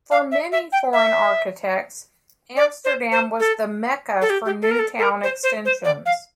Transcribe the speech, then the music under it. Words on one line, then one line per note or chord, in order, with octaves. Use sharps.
For many foreign architects, Amsterdam was the "Mecca" for new town extensions.
F5
E5
E5
G5
E5
D5
C5
C5
A4
A4
G4
G4
A4
A#4
A4
A4
A#4
C5
C5
C5
D5
F5